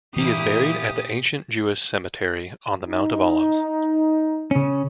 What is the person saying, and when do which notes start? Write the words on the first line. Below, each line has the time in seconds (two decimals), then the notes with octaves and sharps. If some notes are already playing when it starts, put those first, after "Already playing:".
He is buried at the ancient Jewish cemetery on the Mount of Olives.
0.17 A#2 E3 A#3 E4 G4 D#6
2.88 D#4
4.51 C#3 C#4